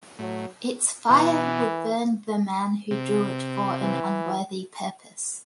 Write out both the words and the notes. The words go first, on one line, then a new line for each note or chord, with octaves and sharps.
Its fire would burn the man who drew it for an unworthy purpose.
A2 F#3
B2 E3
C3
E3